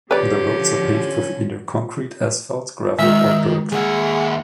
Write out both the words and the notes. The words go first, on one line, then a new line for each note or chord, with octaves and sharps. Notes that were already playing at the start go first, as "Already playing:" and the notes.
The roads are paved with either concrete, asphalt, gravel or dirt.
D3 F3 C#4 G4 B4 D5
D#3 G#3 E5
D#2 G#4 F#5